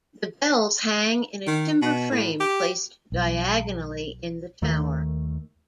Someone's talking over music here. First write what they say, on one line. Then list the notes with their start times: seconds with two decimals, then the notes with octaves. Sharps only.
The bells hang in a timber frame placed diagonally in the tower.
1.47 D#3
1.82 B2
2.11 A2
2.40 G4
3.12 B1
4.62 D#2 D#3 A3